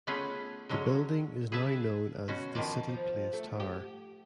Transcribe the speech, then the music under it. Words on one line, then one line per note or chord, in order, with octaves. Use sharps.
The building is now known as the "City Place Tower".
A3 B3 C#4 F4 G#4 B4
D3 F#3 G#3 C#4
G#4 B4 E5 A5
B2 C#4 F#4
B2 D#3 F3 D5
F3
A3
G4